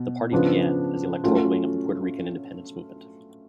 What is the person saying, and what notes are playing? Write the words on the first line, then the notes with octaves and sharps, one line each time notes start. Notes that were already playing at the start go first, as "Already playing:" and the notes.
The party began as the electoral wing of the Puerto Rican independence movement.
Already playing: B2
C#3 F3 B3 D4 F4
F#3 A3 C#4 F4